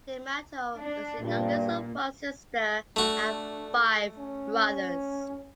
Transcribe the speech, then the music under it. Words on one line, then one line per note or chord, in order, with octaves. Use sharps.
DeMato is the youngest of one sister and five brothers.
D4
G2 A#2
A3 D4 F#4
C#4